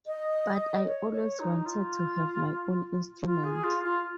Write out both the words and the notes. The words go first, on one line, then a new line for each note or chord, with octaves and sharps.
But I always wanted to have my own instrument.
D#5
C#5
C#5
D#4
F4
F4
G#4
F4
F4